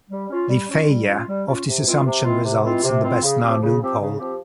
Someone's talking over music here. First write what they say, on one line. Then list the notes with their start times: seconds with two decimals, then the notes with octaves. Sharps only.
The failure of this assumption results in the best known "loophole".
0.10 G3
0.29 C#4 F4
0.48 G3
0.68 C#4 F4
0.87 G3
1.06 C#4 F4
1.26 G3
1.46 C#4 F4
1.65 C3
1.84 E3 G#3 C4 F4
2.04 C3
2.24 E3 G#3 C4 F4
2.43 C3
2.63 E3 G#3 C4 F4
2.83 C3
3.02 E3 G#3 C4 F4
3.21 C#3
3.41 F3 C4 G4
3.60 C#3
3.80 F3 C4 G4
4.00 C#3
4.19 F3 C4 G4